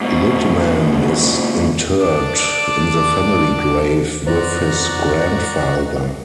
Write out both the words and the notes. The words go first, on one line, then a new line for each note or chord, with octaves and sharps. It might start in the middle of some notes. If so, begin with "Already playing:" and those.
Lidman is interred in the family grave with his grandfather.
G#2 B2
D4 D5 D6
F2 F#4 B4 C5 D5 A#5